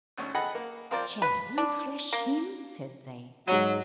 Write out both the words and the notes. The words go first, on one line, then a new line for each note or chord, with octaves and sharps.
"Shall we thrash him?" said they.
G#1 D2 C#4
G#4 A4 B4 D#5 F#5 G5
A#3
F3 C4 F4 A#4 C5 D5
B4
D4
A#3
G#2 F#3 D#7